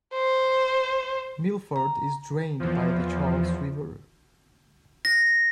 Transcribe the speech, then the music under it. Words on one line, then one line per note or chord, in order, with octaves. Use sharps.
Milford is drained by the Charles River.
C5
A#5
E2 F3
A#6